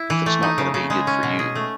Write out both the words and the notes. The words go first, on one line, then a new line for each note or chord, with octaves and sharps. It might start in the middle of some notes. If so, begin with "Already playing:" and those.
if it's not gonna be good for you.
Already playing: E4
E3
A3
D#4
C#3
C#3
G#3
C#4
B2
G#4
A3